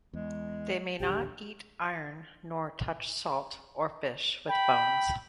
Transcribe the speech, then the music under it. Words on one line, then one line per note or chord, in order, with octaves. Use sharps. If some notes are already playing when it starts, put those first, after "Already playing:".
They may not eat iron nor touch salt or fish with bones.
E2 G#3
A#1 D#2 D3 G4 G5
G5 B5